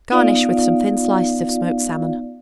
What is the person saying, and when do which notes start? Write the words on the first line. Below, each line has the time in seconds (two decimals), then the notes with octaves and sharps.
Garnish with some thin slices of smoked salmon.
0.11 B3 D#4 F4 D5 F5